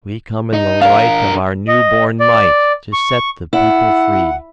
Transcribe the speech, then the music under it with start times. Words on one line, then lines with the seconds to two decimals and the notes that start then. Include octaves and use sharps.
We come in the right of our new-born might to set the people free!
0.54 D#4
0.81 D4 A#4 F5
1.68 D#5
2.20 D5
2.93 C#6
3.53 E4 F#5